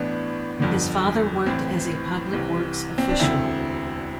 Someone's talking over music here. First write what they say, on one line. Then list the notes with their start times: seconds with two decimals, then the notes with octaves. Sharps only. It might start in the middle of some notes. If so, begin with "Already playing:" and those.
His father worked as a public works official.
Already playing: A1 A2 E3 B3 D4
0.60 G1 F2 D3
1.46 A1 A2 E3 C4
2.33 C2 C3 E3
2.98 C4
3.09 D4
3.19 E1 D2 D3 C4 E4